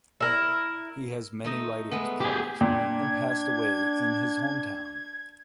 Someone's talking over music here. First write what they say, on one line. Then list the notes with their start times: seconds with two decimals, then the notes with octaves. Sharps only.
He has many writings published and passed away in his hometown.
0.20 E4 A#4
1.44 A3 D#4 D#5
1.91 G#3 A3 B3
2.21 G4 G#4
2.61 A#2 D4 G5 G#6